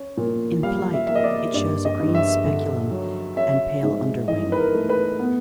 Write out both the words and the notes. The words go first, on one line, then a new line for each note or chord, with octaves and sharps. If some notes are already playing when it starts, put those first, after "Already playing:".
In flight, it shows a green speculum and pale underwing.
Already playing: C#4
A#2
G3 F5
E5
A#3 E5
D#5
D5
G2 D5
D#5
G2
E5
D3
F#3
C#4 E5
G#2
E3 D#5
B4
A#4
A3
B4
B3